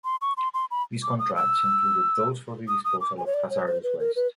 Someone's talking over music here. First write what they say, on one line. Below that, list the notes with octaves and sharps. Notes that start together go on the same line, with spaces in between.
These contracts included those for the disposal of hazardous waste.
C6
C#6
C6
C6
B5
D6
D#6
E6
D#6
D#6
D6
G#5
C#5
D5
C#5
C5
B4
A#4
B4